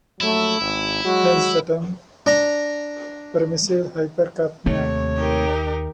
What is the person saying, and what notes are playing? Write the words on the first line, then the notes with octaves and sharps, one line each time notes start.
Hence the term, permissive hypercapnia.
A#1 F#3 A3 E4
G#1
F#3 G#3 F#4
D4 A#5
D#2 C3 A3 C#5
D#4 G4 A#4